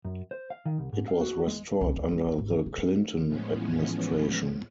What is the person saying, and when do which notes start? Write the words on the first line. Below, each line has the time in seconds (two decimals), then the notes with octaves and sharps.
It was restored under the Clinton administration.
0.05 F#2
0.31 C5
0.50 F5
0.65 D#3
0.78 C2
0.93 G#2
1.08 F5
1.21 F#4
1.47 G#3
1.81 C#2
1.96 D2
2.11 G#3
2.27 D3
2.38 G#1
2.51 G#3
2.66 C#3
2.78 A3
3.27 A2 E3 F3 G#3 B3 C#4